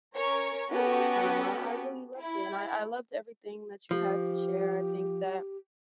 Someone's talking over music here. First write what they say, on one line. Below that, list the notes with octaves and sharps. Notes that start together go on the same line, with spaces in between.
You're welcome, I I really loved it and I I loved everything that you had to share. I think that
C#4 A#4 C#5
B3 C#4 F#4 G4 A4 B4
E4
F3 G4